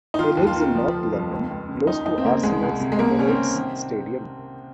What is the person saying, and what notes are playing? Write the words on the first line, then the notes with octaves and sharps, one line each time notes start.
He lives in north London, close to Arsenal's Emirates Stadium.
D#4
D#3 F4
D#2
F4
D#3
F3
F1
F2
C#2
C#2
C#3
D#2 D#4
D#2 D#4
C4
C#3 A#3
C2 G#3
C2
C3
G#3
C2 A#3
C2 C#4
C4
C3
D#3